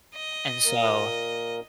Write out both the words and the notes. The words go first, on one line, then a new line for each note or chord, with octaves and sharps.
And so,
D#5
A#2 A#3 A#4